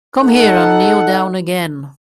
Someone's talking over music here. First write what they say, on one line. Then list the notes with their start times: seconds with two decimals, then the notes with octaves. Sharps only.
Come here and kneel down again!
0.22 D#4 A4 F#5